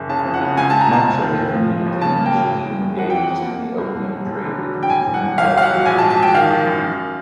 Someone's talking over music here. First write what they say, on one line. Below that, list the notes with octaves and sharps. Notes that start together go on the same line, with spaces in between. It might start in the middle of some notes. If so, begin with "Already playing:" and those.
Much of the community initially engaged in the opium trade between India and China.
Already playing: F#1
C#3 A5
F2
F#5
C#3
C#2 G#5
C#2 A5
A#5
C#2 A5
F1
D#3
F1
F3
F3
D#2
C#3 A5
A#3
G5
F#3
F#1
E2
E2
F2 F#5
E3 G5
F#5
F2
A#3
A#3
C2
E1
D#2
E1
D3
F#3
D3
G5
E1 G#5
E1
F#5
E1
G1 F5
F#3 F5
F#5
F#3
A#1 G#5
A5
G#2
A5
A#1 G5
D#3 F5
D#3
F#2
F#2